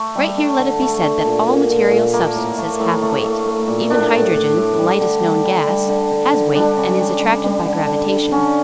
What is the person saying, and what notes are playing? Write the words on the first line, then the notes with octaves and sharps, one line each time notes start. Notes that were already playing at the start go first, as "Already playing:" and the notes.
Right here let it be said that all material substances have weight; even hydrogen, the lightest known gas, has weight, and is attracted by gravitation.
Already playing: A3
G3
A3
D3
A3
D3
A#2
A#2
A#2
A#2
A3 A#3
A2
A3
A2
A3
A3
A3
A#2
A2 D4
A2
A2
A2
G3
D3
G3
G3
G3
D3
D3
D3
G3 D4
C#3
G3
G3
G3
D3
D3
D3
D3 C#4